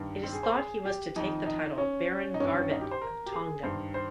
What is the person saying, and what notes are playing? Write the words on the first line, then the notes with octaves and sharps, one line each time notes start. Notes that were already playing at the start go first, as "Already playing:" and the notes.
It is thought he was to take the title Baron Garbett of Tongham.
Already playing: G2 D#3
C4
G#4
C5
G#4
G4
F2 D#3 D#4
D#4
C#4
D#4
G2 D#3 C#4
D#4
G4
C5
A#4
G4
G#4
G2 D#3 C5
C5